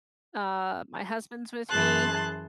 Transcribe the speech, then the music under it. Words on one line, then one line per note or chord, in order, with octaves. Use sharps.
Uh, my husband's with me,
F#2 E3 G#4 A5 C6 F#6